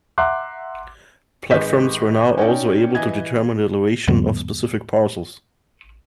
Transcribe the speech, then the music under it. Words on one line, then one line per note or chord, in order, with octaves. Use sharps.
Platforms were now also able to determine the elevation of specific parcels.
E5 F#5 A#5 C6 D6 F#6
G#1 G#3 B4 D#5 G6 B6
C#4 D#4 C#5 D5 G5
E3 B4 D#5 G#5 G#6
E2 G#2 D3 F#3 G#3 B3